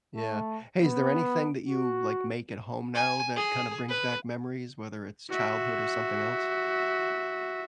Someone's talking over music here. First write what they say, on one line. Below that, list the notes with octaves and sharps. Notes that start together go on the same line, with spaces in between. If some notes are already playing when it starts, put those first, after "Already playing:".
Yeah. Hey, is there anything that you, like, make at home now that kinda brings back memories, whether it's childhood or something else?
A3
B3
F#4
G#5
G#4
B4
F#4 E5